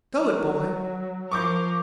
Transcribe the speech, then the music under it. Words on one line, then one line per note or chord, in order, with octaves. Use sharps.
"Go it, boy!"
F#3
F3 A#4 C#6 D6 G6